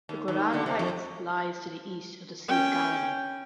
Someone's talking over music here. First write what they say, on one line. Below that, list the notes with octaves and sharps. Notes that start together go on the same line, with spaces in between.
The Golan Heights lies to the east of the Sea of Galilee.
D#2
D#2
D3
C3
F2
C#4 G5